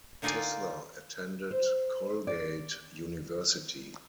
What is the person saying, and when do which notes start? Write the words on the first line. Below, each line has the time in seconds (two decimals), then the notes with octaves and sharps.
Sisler attended Colgate University.
0.22 D3 A#3 D#4 F4 D5 G#5
1.51 C5
2.27 D5